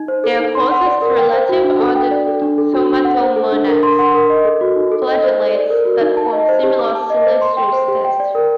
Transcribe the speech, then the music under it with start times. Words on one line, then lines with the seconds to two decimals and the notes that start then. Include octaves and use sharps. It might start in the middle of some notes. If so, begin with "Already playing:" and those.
Their closest relatives are the thaumatomonads, flagellates that form similar siliceous tests.
Already playing: D#4
0.08 C5
0.24 A4
0.39 D#4
0.55 C6
0.71 F#5
0.86 D5
1.02 A#4
1.18 G5
1.33 C5
1.49 F#4
1.64 D4
1.80 A4
1.95 G5
2.11 D5
2.27 A4
2.42 D4
2.58 A4
2.74 F#4
2.90 D4
3.05 F#5
3.21 C5
3.36 A4
3.52 D4
3.68 A#4
3.83 C6
3.99 F#5
4.14 A#4
4.30 D#5
4.45 A4
4.61 F#4
4.76 D#4
4.92 A4
5.08 D#5
5.23 C5
5.39 A4
5.55 D5
5.70 A#4
5.85 F#4
6.01 D#4
6.17 A5
6.33 D#5
6.49 C5
6.64 G4
6.79 D6
6.95 A5
7.10 D#5
7.26 C5
7.41 C6
7.57 G5
7.73 C5
7.88 G4
8.04 G5
8.20 D5
8.35 A#4